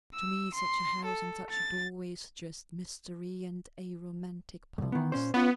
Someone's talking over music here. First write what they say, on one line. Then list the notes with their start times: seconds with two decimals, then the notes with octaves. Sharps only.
To me such a house and such a doorway suggest mystery and a romantic past.
0.14 E6
0.54 C6
1.05 A4
1.50 A6
4.78 C2 F2
4.92 D#3 B3
5.12 A#2 C#4 C5
5.34 B3 C#4 F4